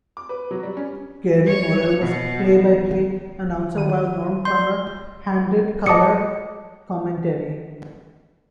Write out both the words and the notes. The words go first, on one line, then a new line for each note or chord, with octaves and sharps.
Gary Morrel was play-by-play announcer while Norm Plummer handled color commentary.
D6
B4
F#3
G3
C#4
C#5
B2
D#3 D#7
D5 C6 G6
D#5 A5 D6 D#6 C#7